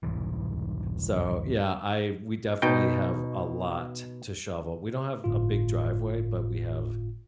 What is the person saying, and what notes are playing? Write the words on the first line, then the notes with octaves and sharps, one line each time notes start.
So, yeah, I we definitely have a lot to shovel. We don't have a big driveway, but we have
E1 C2 G#2 E3
B2 D#4 G5
G1 A2 F4